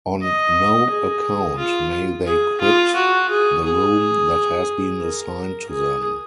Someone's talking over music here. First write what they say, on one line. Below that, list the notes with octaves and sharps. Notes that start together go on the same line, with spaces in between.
On no account may they quit the room that has been assigned to them.
D#5
G#4
F4
G#4
F4
F#4
G#4
G#4
A#4
G#4